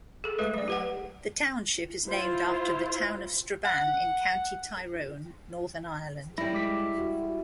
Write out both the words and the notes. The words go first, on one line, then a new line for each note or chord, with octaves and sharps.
The township is named after the town of Strabane in County Tyrone, Northern Ireland.
G#4 A4
G#3 A3 B4
F#3 D5
G4 B4 F#5
E4 F4 C5
F#5
F#3 G3 E4 B5 A#6
G#3 D6 B6
F#4